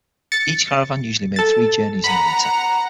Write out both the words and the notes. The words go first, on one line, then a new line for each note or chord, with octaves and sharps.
Each caravan usually made three journeys in the winter.
A6 C#7
A4 A6
F#5 A#5 B5